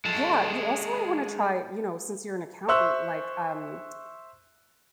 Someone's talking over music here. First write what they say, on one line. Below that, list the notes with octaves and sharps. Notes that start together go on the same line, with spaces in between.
yeah, you also might wanna try, you know, since you're an accountant, like, um,
G#3 A4
C5 E5 C6 C#6 E6 F#6